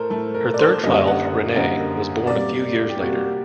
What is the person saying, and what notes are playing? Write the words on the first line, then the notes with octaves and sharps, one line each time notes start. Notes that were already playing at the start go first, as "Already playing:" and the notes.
Her third child, Rene, was born a few years later.
Already playing: A2 A3 A4 A#4 C5
A2 A3 A4
A#4
D5
C5
F#2 D3 G3 A#3 D#5
F#5
F#2 D3 G3 A#3 D#5
C3 G3 A#3 D5
G4
C3 G3 A#3 F#4